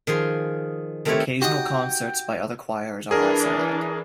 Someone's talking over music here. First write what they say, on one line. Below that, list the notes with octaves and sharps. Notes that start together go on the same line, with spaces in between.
Occasional concerts by other choirs are also held.
D#3 F3 G#4 C6
D#3 A3 C4 E4 G4 C#5
D#4 F#4 G4 G5 D#6
E3 D4 G#4 A#4